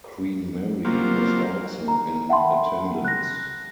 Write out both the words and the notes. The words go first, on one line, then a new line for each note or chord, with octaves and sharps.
Queen Mary was also in attendance.
F#3 G3 A#3 C4 F4
A#5
E5 F#5 G5 A5 B5 C6
F#6 A#6